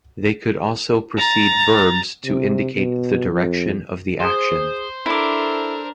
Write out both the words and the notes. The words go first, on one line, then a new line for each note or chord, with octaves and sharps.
They could also precede verbs to indicate the direction of the action.
A#5 A6
C3
B2
F2
G#4 C5
D4 E4 A4 A#4 D6